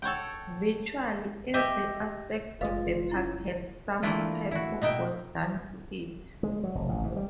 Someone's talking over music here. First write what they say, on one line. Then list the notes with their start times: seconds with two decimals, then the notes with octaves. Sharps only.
Virtually every aspect of the park had some type of work done to it.
0.02 A4 C#5 F#5 G5
1.54 G4 D#5 E5
2.61 F#1 G#3 F4 B4 D#5 F5
3.11 C#4 E4
4.03 E3 A3 A#3 D4 E4 F4
4.51 E4 F#4
4.82 B2 D#4 E5 G5
6.43 G#3
6.64 F#3
6.75 F1
6.89 A1
7.03 G#2
7.16 G3